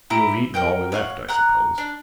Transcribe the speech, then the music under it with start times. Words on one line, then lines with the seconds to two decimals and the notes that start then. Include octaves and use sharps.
You have eaten all we left, I suppose.
0.10 E4 G4 A#5 D6
0.54 A#4 F#5 G5 G6
0.92 C#5 F5 F#5
1.29 F#5 A#5 F#6
1.78 D4